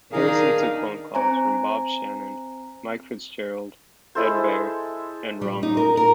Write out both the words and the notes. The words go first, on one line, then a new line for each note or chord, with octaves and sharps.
Harrison took phone calls from Bob Shannon, Mike Fitzgerald, Ed Baer, and Ron Lundy.
D#3 D4 D#4 G#4 A#4 F5
C4 C5 G#5 A#5
G#3 E4 A4 C5
G3
D#4
A#4
A#4